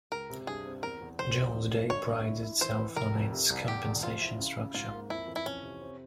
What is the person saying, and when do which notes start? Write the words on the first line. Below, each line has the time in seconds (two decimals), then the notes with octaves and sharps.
Jones Day prides itself on its compensation structure.
0.12 C#2 A#4
0.30 C3
0.47 G2 G#4
0.65 C4
0.83 E2 A#4
1.01 E2
1.19 F1 C5
1.36 E2
1.55 G#1
1.71 F3
1.90 G1 C#5
2.08 G1
2.25 E4
2.43 E4
2.61 E3 C5
2.79 E3
2.96 F1 A#4
3.15 F2
3.32 C3
3.50 C2
3.68 E2 G4
3.86 E1
4.03 F3 F4
4.21 E4
4.39 C#3
4.57 C#3
4.74 G#2 F4
4.93 A#3
5.10 F2 E4
5.28 E3
5.36 E4
5.46 F2 C#4
5.63 C3
5.82 C4